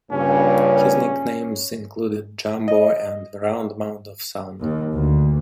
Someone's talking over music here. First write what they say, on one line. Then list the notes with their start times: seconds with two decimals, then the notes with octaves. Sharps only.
His nicknames included "Jumbo" and "The Round Mound of Sound".
0.11 G2 A#2 C#3 C#4
2.68 D#5
4.61 D#2
4.94 D2